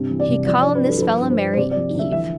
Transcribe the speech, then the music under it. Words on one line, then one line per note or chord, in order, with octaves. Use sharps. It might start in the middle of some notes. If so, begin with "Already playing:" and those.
He call him this fella Mary, Eve.
Already playing: G2 C3
E3
D5
C2
F3 D5
D5
G2
B4
G2 A4
A4
F3 B4
G2
C5
G2
C5
C3 D5
D5
F3
D2 E5
E3 E5